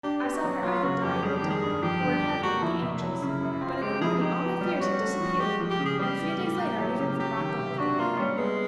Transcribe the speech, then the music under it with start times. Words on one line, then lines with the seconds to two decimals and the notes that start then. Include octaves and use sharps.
I saw her either dying or dead, or in heaven with the angels; but in the morning all my fears had disappeared and a few days later I even forgot the whole thing.
0.03 D4 G4
0.24 B3
0.34 F#4
0.44 F#3
0.63 F#3 F4
0.83 C#3 F#4
1.03 F2 G4
1.23 G3 G#4
1.36 G4
1.43 D#3
1.50 G#4
1.63 G2
1.82 F3 G4
2.03 D3
2.22 F2
2.42 A#3 F#4
2.62 F3 E4
2.82 C3
3.02 F#3 E4
3.22 C#3
3.41 F#2
3.61 C4 F4
3.81 G#3 G4
4.01 F3 G#4
4.21 D#4 G4
4.41 B3
4.61 G3
4.81 C#4 F#4
5.00 A3
5.21 F3
5.40 G#3 G4
5.60 F3
5.70 G4
5.80 C#3
5.85 G#4
5.99 G3 G4
6.19 E3
6.40 A2
6.60 A#3
6.80 F#3
6.99 C#3
7.19 F#3 G4
7.38 D#3
7.59 C3
7.78 D4 F#4
7.99 A#3 F4
8.18 G3 C#4
8.38 G#3 B3